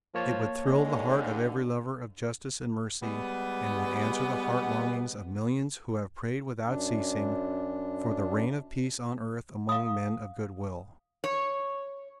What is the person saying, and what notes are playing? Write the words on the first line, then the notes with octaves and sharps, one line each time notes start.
It would thrill the heart of every lover of justice and mercy and would answer the heart longings of millions who have prayed without ceasing for the reign of peace on earth among men of good will.
F3 A#3 C#5 A5
D#2 D3 G#3
G3 G#3 B3
F#2 D4
F5 D#6
C#5